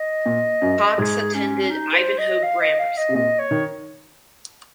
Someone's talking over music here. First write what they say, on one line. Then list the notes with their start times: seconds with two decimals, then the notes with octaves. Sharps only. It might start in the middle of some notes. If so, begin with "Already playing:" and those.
Cox attended Ivanhoe Grammar School.
Already playing: D#5
0.26 A#2
0.62 F#2
0.98 G#2 G#4
1.34 C#4
1.62 C#4
1.70 D#4
1.94 C5
2.18 D#5
2.43 F5
2.61 D#5
2.79 F5
2.97 D#5
3.09 C3
3.15 A#2 D#5
3.39 C#5
3.51 D#3